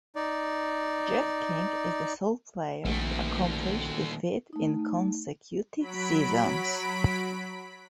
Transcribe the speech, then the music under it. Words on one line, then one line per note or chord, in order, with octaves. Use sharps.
Jeff King is the sole player to accomplish the feat in consecutive seasons.
D#4 D5
A#1 A#2 D#3 A3 F#4
A3 D#4
F#3 B5 B6 D7